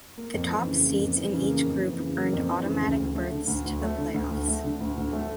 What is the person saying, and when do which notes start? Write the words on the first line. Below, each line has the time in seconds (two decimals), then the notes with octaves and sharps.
The top seeds in each group earned automatic berths to the playoffs.
0.18 A#3
0.34 F2
0.50 E3
0.68 C#3
0.84 A#3
1.00 F2
1.17 E3
1.34 C#3
1.49 A#3
1.66 F2
1.84 E3
2.00 C#3
2.16 A#3
2.33 F2
2.50 E3
2.66 C#3
2.82 D2
2.99 D2
3.15 A3
3.32 D3
3.48 D2
3.65 D2
3.82 A3
3.98 D3
4.14 D2
4.31 D2
4.48 A3
4.64 D3
4.81 D2
4.97 D2
5.13 A3